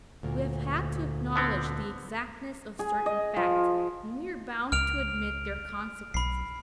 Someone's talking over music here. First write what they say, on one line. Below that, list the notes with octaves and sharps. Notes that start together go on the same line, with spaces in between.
We have had to acknowledge the exactness of certain facts, and we are bound to admit their consequences.
D2 A#2
D3 B3 C4
G#4
D#5
F3
C#2 F6 D7 F7
B1 B5 C7